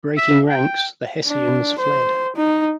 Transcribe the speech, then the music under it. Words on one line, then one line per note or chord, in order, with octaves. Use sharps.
Breaking ranks, the Hessians fled.
E5
G5
D4
C5
D#4